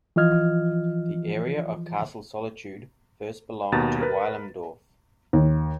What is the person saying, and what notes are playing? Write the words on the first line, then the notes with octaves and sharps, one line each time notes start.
The area of Castle Solitude first belonged to Weilimdorf.
E3 F3 F4 D#5 F6 G#6
D#2 B2 A#5 A6
A#4 B4
D#2